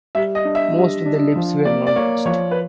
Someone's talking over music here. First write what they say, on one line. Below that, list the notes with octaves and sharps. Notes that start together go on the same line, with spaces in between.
Most of the lips were notched.
G3 E5
D#5
D4
E5
G3
D4
F3
A#3 D5
D5
A#3 C#5
F3 C#5
B4